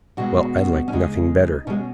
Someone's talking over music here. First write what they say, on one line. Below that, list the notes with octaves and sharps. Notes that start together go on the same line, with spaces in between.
Well, I'd like nothing better.
B2 G#3 F#4
C#4
C#3 G#3 D#4
B2 G#3 C#4